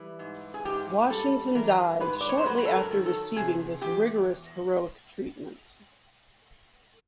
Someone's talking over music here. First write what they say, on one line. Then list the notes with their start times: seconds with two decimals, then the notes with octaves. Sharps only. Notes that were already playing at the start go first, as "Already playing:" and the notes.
Washington died shortly after receiving this rigorous heroic treatment.
Already playing: E3 G3
0.19 G#2
0.54 G#4
0.65 G#2 G4
1.10 G3 A4
1.55 E3 A#4
2.00 G#2 B4
2.21 D5
2.29 C#5
2.38 C5
2.45 F#3 B4
2.65 A4
2.76 A#4
2.90 D#3
3.06 A4
3.36 C3 G#4
3.81 E2 G4